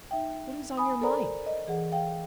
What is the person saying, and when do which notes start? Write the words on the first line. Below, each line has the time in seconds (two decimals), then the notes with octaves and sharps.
What is on your mind?
0.11 D#4 E5 G5
0.77 G#5 B5 D#6
1.01 A4 A#4 C5 D5 A#5 B5
1.46 D#5
1.67 E3 G#4 F#5
1.92 F5 G5